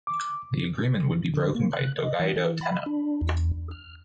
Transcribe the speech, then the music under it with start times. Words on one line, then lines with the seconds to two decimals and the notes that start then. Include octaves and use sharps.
The agreement would be broken by Go-Daigo Tennō.
0.07 D6
1.34 D3
1.55 A#3
1.72 F#6
1.98 D#5
2.20 E3
2.36 E3
2.61 B5
2.86 D4
3.21 E2
3.71 F6